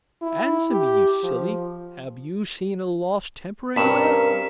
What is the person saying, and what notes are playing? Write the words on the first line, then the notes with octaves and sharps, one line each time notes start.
Answer me, you silly, have you seen a lost temper anywhere?
E4
G4
F3
G2 G3 C4 C#4 A#4 B6 E7